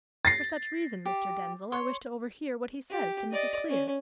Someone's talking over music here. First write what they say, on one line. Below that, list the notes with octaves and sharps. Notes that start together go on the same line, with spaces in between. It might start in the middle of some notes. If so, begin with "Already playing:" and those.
For such reason, Mr. Denzil, I wish to overhear what he says to Mrs. Clear.
A6 A#6 C7
G4
C#5 C6
G4
D5 D#5
C#4